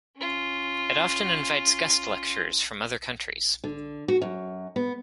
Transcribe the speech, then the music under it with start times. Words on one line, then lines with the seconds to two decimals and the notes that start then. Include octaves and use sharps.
It often invites guest lecturers from other countries.
0.17 C#4 F4
3.64 D3
4.08 F#4
4.22 F#2
4.76 B3